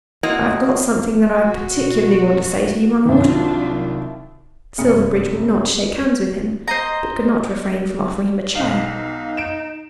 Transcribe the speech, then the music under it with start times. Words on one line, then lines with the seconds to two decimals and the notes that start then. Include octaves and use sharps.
"I've got something that I particularly want to say to you, my Lord." Silverbridge would not shake hands with him, but could not refrain from offering him a chair.
0.23 A#3 C4 E4 F#4 D#5
1.39 B2 F3 F#4
3.05 C2 D#3 F#3 D4 F4
4.78 G1 F#2 C3 A3 D#6 C#7
6.68 C5 D#5 A#5
8.55 B1 D#4 F5
9.37 D7 E7